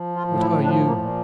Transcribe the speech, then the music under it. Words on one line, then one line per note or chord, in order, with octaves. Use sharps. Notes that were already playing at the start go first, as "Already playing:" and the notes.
What are you?
Already playing: F3
F4
A2
E4
F3 D4
A#3
A#2